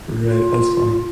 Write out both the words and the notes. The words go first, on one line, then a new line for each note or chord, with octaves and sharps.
Right, that's funny.
F4